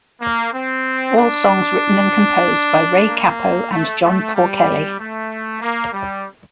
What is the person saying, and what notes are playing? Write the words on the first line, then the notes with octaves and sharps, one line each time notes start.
All songs written and composed by Ray Cappo and John Porcelly.
A#3
C4
D4
A#3
A3
A3
G3
A3
A#3
G3